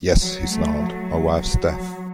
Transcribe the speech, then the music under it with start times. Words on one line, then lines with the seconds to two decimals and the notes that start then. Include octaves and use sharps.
"Yes," he snarled, "my wife's deaf."
0.21 F#3
0.52 A3
0.81 F#3
1.42 F#3